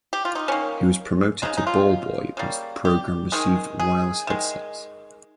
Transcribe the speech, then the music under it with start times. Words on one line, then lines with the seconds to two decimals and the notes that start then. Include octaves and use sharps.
He was promoted to ball boy once the program received wireless headsets.
0.13 G4
0.25 F4
0.35 D#4
0.48 D#3 A#3 C#4
1.42 C#3 G#3 D#4
1.57 D#4
1.67 F4
2.37 C#3 G3 A#3
2.85 G4
3.32 D#3 G#3 G#4
3.80 G#4
4.27 D#3 G#3